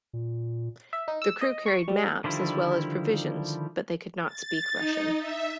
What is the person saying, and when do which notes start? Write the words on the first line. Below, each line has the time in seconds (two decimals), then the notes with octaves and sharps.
The crew carried maps as well as provisions but they could not speak Russian.
0.13 A#2
0.93 E5
1.08 D#4
1.22 E6
1.41 D#5
1.66 C#6
1.88 G3
2.24 D3 D#3 F3 G3 E4
4.26 A6
4.72 D#4
5.18 E5